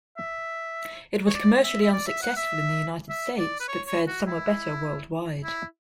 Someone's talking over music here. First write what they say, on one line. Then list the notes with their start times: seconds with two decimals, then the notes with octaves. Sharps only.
It was commercially unsuccessful in the United States, but fared somewhat better worldwide.
0.17 E5
1.27 C#5
1.34 D5
1.64 E5
1.82 E5
1.93 D5
2.07 E5
2.22 F#5
2.37 E5
3.09 E5
3.39 D5
3.60 B4
3.68 C#5
3.87 C#5
4.07 F#4
4.26 E4
5.44 E4